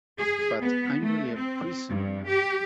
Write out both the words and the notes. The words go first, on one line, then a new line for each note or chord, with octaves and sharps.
But I'm really a prisoner now.
G#4
B3
A3
C4
G2
G4